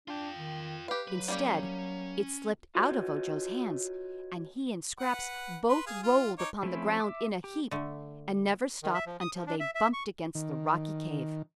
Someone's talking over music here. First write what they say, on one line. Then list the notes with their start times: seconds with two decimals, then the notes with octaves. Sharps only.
Instead, it slipped out of Ojo's hands and he and Scraps both rolled upon the ground in a heap and never stopped until they bumped against the rocky cave.
0.08 D4 F4 G5
0.38 D#3
0.88 G4 B4 F5
1.08 F#3 B4
1.28 G3 A#3 C#4 G4
2.75 F4 F#4 B4 C#5 D#5
4.99 B4 F#5
5.69 B4 C6
5.86 G#4 F5 G#5
6.03 F4
6.38 D#4 C#5 D6
6.63 F3 A3 C4 C#4 E4
7.00 E5 D6
7.44 G4
7.71 D3 A3
8.83 D#3
8.94 E5
9.06 F3
9.21 D#6
9.35 F3
9.47 D4
9.60 E5
9.75 E5
9.93 C#6
10.35 D#3